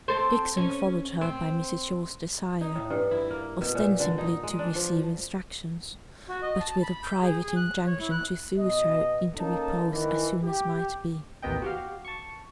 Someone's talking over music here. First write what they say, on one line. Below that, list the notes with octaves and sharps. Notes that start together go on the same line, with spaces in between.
Dixon followed her by Mrs. Shaw's desire, ostensibly to receive instructions, but with a private injunction to soothe her into repose as soon as might be.
C4 A4 C5
C#4
C4
D#4
A2
G2
E4
A#3
B2
A#2
D3
D#4
G#3
D4
F3
F#4
D#5
A5
B5
G6
G#4
G#4
F#6
C#5
E4
F#6
B2 D#5
A#3 C#4 D#4 A4 A5
D#3 E3
G4
A1 D#2 C3 B3 D#5 G5
F#4 G4 F5
A5 C#6